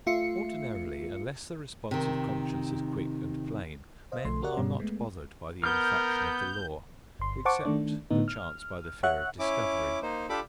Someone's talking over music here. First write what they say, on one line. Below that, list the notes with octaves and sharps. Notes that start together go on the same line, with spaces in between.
Ordinarily unless the response of conscience is quick and plain, men are not bothered by the infraction of the law except, perchance, by the fear of discovery.
A3 F4 E5 C#7
C3 D#3
C5 D#5 F5
B1 F3 A3 A4 C6
F#4 G4 A#4 C#5 D5 F#5
G2 B2 D3 G3 C#4
G#3 A3 B3
B3 A#4 F6 G6
G1 C6
C5 F#5 A5 C#6 D6
D#3 A3 D4
A2 D3 B3 D#4
F6
C#5 E5 F#5 F#6
C#4 E4 D6
A#3 D#4 C5
D4 F4 G4 A4 B5 D6